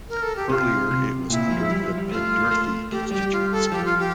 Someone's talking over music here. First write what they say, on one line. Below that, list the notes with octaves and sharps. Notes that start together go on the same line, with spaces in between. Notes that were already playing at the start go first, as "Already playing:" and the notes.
Earlier it was under the Pendurthi constituency.
A#4
A4
G4
C3 F4
C3
A#2 E4
F3
G3
F3
G3
A3 F4
A#3
A3
A3 G4
G3 G4
F4
A4
F3 G4
F4
G4